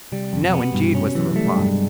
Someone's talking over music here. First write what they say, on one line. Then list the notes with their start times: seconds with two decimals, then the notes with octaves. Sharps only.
"No, indeed," was the reply.
0.12 C3 G3
0.33 F2
0.43 B2
0.53 B3
0.74 G2 B2
0.95 C3 C#4
1.15 E3 F#3
1.35 G3 A3
1.56 G2 G#3